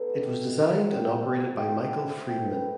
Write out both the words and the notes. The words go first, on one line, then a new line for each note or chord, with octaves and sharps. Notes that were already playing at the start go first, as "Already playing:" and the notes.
It was designed and operated by Michael Freedman.
Already playing: B2 D#4 A4
D#5
G3
E5
D#3 F#5
D#3
C4 F#5 G5
D#3
G3 F#5
G5
D#4 F#5
C4 E5
F#5
A3
G5
B3